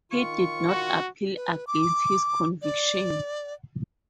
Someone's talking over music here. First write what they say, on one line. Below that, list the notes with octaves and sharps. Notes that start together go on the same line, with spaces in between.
He did not appeal against his conviction.
D#3 F4 C#6
F#4
B4
D6
D5